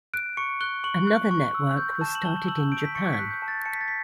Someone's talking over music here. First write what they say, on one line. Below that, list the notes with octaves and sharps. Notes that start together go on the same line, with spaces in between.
Another network was started in Japan.
F#6 D7
C#6 C#7
F#6 G7
C#6 F#7
F#6
C#6
E6
G6
A5 E7
F#7
A5 G7
E6 F#7
G6 D7
B6
C#6 C#7
B6
F#6
G6
A5
A6
A5 C#7
B6
A6
B6